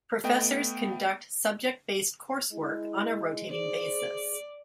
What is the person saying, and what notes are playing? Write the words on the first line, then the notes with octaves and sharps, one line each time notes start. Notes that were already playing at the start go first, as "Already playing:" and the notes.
Professors conduct subject-based coursework on a rotating basis.
A3 B3 D#5 G5
G#3 E4
G#4 C5 D5